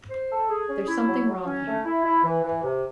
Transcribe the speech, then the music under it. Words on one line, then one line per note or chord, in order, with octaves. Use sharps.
There's something wrong here.
C5
A4
G#4
C#4
E4
F#3
F#3
C#4
A3
E4
E4
E3
E3
C3